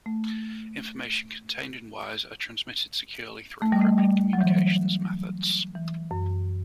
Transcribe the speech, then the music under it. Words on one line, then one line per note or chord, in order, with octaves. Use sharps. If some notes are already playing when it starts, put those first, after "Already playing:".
Information contained in wires are transmitted securely through encrypted communications methods.
A3
A3
G3
A3
G3
F#3
E3
F#3
E3
F#2